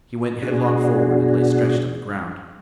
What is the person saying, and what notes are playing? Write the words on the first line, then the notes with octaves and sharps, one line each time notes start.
He went headlong forward and lay stretched on the ground.
B2 D4 F#4 G#4